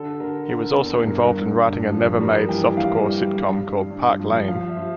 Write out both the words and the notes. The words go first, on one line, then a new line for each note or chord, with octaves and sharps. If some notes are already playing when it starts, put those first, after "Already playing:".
He was also involved in writing a never-made softcore sitcom called "Park Lane".
Already playing: D3 A4
D3 A#4
D3 A#4
E2
G2 A#4
G2
G2
F3
G3 A#4
E3 G5
E3 F5
G3
G2
G2
G2
F3
F3 F5
E5
F3